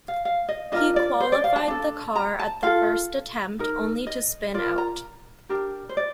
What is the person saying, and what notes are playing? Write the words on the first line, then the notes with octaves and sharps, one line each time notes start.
He qualified the car at the first attempt, only to spin out.
F5
F5
D#5
D4 F4 A#4 D#5
D5
C5
D5
F5
A5
D4 A4
A#5
A5
F4 A4 F5
D#4 A#4
D#5
F4 A#4 D5
A#5
D4 G4 A#4
C5
D5